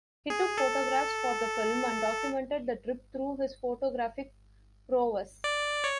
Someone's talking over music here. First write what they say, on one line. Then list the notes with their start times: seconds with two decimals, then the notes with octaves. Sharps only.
He took photographs for the film and documented the trip through his photographic prowess.
0.30 G#4
0.58 A4
5.44 D5
5.84 C#5